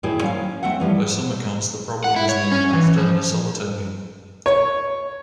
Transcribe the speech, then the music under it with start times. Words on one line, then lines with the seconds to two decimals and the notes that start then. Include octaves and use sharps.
By some accounts, the problem is named after a solitaire game.
0.03 A2 D#3 E4 G#4 G5
0.21 F#3 C#4 C5 F5
0.63 A3 C4 A4 E5 F#5
0.80 E3 F3 G3
2.04 F#5
2.16 E4
2.29 C#5
2.52 C#4
2.74 E3
2.98 F3
4.46 C#5